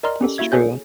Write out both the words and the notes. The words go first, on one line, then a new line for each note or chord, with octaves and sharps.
That's true.
A#4 D5 D#5 A#5 C6 F6
C#4 G4 A4
A#3 E4 F#4 E5 G#6
G#4 A4 C#5 G#5 F#6 G6